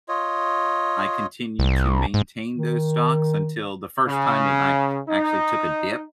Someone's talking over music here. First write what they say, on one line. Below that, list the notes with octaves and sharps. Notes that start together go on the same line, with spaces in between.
I continued to maintain those stocks until the first time it, like, actually took a dip,
F4 C#5 D#5
C2
G#2
D#3
C#3
D#4